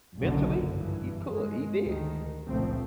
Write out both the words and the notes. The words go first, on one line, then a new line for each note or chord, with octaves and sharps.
mentally, he could, he did
F#1 B1 F#2 D3
G2 E3
G#3
D2 D#3
G1 C#2 A#2 F3 A3 C4